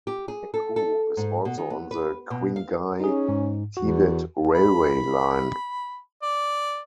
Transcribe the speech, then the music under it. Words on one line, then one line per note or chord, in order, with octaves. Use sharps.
Nagqu is also on the Qinghai-Tibet railway line.
G4
G#4
A4
A4
G#2
B2
D#3
B3
B4
B2
F5
C#4 D#4 G#4
G#2
E2 F#4
B5
D5